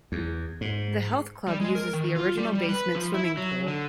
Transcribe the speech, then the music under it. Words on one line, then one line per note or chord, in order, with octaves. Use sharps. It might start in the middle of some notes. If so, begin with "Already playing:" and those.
The health club uses the original basement swimming pool.
E2
G#2
G3
G#3
A#4
D#3
F4
G3
G3
B4
F3
E4
F#3
D3